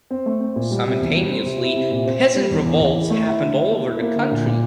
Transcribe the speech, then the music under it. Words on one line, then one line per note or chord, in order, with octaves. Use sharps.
Simultaneously, peasant revolts happened all over the country.
C4
A3
C4
A#2
G3
C3
E2
G3
C4
C3
E4
C3
A#2
C4
C4
G3
E2
E2
E2
E3
A3
E4
D3
E4
A#3
E4
A#3
D3
A#2
A#2